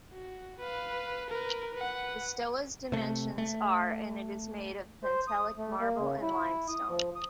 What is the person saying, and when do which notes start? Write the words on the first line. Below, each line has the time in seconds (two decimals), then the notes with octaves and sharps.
The stoa's dimensions are and it is made of Pentelic marble and limestone.
0.13 F#4
0.59 B4 F5
1.30 A#4 B4
1.74 B4 F#5
2.92 C3 A3
3.38 A3
5.04 C5
5.28 D#6
5.58 A3
5.80 A#3
5.99 C#3
6.23 E4
6.69 D#6
6.89 F3
7.16 D#6